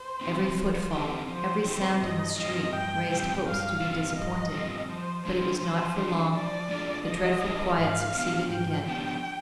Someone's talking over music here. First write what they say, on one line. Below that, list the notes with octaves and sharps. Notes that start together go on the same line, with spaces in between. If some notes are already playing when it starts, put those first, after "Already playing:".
Every footfall, every sound in the street, raised hopes to be disappointed; but it was not for long, the dreadful quiet succeeded again.
Already playing: C5
C4 D#4 G4
F3
C4 D#4 G4
F3 C5
C4 D#4 G4
G2 D#5
D#3 G3 C4 F4 D#5
G2 G5
D#3 G3 C4 F4
G2 F5
D#3 G3 C4 F4
G2 D#5
D#3 G3 C4 F4
F3 C5
G#3 D4 F4 G#4 C5
F3
G#3 D4 F4 G#4
F3 D5
G#3 D4 F4 G#4
F3 D#5
G#3 D4 F4 G#4
G#2 F5
F3 B3 D4 G4
G#2 G5
F3 B3 D4 G4